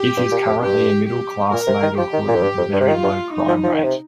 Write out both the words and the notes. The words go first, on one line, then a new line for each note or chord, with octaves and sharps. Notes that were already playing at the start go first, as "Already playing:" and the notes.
It is currently a middle-class neighborhood with a very low crime rate.
Already playing: G4
G2
A#2
F2
G2 G4
G4
A#2 A#4
C3
D#3
F3 G4
D#3
A#2
F2
G2
F2
G2
C3
D#3 F4
G2
D#4
F3
F3
D#3
C3